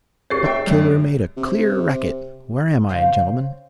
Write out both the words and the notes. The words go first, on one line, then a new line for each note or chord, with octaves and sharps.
"Buck-killer made a clear racket. Where am I, gentlemen?"
G4 G#4 C#5 A6 C7
C#5 E5 G5
F#2
C3
C#3 C4 F5